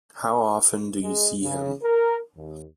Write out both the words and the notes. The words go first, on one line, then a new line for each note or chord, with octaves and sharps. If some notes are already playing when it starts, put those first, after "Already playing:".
How often do you see him?
G#3
C#3
A#4
D#2